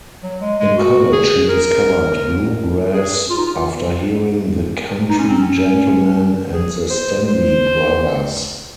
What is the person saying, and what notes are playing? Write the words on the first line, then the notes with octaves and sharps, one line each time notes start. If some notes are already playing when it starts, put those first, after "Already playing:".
In college, he discovered bluegrass after hearing The Country Gentlemen and The Stanley Brothers.
F#3
G#3
G#3
F#4
G#4
A#4
G#4
F4
D#4
F4
D#4
C#4
C4
C#4
G#4
C5
C5